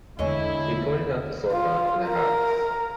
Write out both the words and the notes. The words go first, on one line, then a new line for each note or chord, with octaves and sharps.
He pointed out the storefront and the hats.
E2 D3 G#3 E4 C#5 D#5
F4
A#4